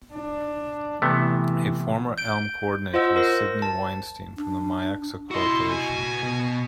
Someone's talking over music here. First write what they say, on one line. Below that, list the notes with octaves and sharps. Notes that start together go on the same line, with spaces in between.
A former Elm Coordinator was Sydney Weinstein from the Myxa Corporation.
D4
C3 E3 A3 B3
G6 D7
F4 C5 D#5 F#5 E6
A#4 C5 A#6
A5
D4
E4 F#4 D#5 C6
G#5
B2